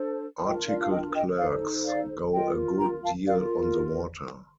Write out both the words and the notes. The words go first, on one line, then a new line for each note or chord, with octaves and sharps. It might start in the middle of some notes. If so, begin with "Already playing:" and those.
Articled clerks go a good deal on the water.
Already playing: D4 A4 C5
D4 F4 A#4 D#5 G5
D5 F5
F5
D#5 G5
D#5 G5
D#4 A4 C5 D5 F5
D5 F5
F4 A#4 D#5 G5
G5 A#5
F5 A5
F4 A#4 D5 F5